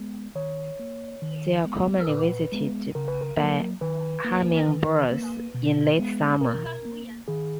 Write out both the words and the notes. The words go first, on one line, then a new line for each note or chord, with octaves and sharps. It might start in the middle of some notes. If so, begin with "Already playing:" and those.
They are commonly visited by hummingbirds in late summer.
Already playing: G#3 B3
D#3 C#5
A#3
D#3
G#3 B3
A#4
A#2 B4
G#3 B3
C#3 A#4
B4
A#4
F#3 A#3 A#4
D#3 B4
A#3
D#3
A#3
B2
G#3 B3
B2 A#4
A#3
D#3 G#4